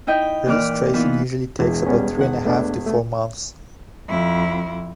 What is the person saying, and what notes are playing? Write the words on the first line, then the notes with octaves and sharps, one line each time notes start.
Registration usually takes about three and a half to four months.
D#4 E4 D#5 G5
A#2 E3 D6 F6
E3 B3 D#4 F4
E1 E3
G3 B3 C#4
D#3 B3 F#5
A3 B3 D4
A3
F2 E4